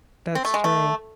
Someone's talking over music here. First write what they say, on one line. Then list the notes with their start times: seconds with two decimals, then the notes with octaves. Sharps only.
That's true.
0.35 C4
0.45 A3
0.54 G#3
0.64 A3